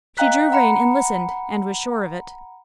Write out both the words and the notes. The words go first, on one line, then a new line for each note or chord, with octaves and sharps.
She drew rein and listened, and was sure of it.
D#5 F5 G5 A#5 F#6 B6
F#5 A#5 B5 C#7